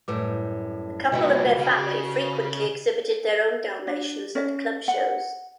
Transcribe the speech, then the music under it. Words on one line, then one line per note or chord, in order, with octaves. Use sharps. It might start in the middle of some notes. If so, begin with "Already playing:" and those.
The couple and their family frequently exhibited their own Dalmatians at club shows.
F#2 A2 G3 B4 D6
C2 A#2 F#4 B4 D#5 E5 G5
C#3
D4
C#4
F#5